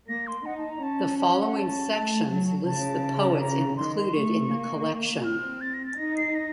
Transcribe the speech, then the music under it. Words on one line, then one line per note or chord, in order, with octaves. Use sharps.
The following sections list the poets included in the collection.
A#3 A#6
C6
D#4 F#5
A5
A#5
C#4 A5
A5
F#5
A5
A3
F#3
C#3 A5
A5
A#5
D#3 C6
C6
A3 C#6
A#3
C4 F6
A6
A#6
A6
D#4 A#6
C7
A#6